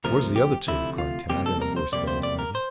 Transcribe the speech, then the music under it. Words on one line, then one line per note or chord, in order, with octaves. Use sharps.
"Where's the other two?" cried Tad in a voice of anxiety.
D2 C3 F3 A3 A#4
G4
D2 C3 F3 A3 E4
F4
F2 C3 G3 A#3 G4
A4
A#4
C5
F2 C3 G3 A#3 D5
C5
D5
A#4
C5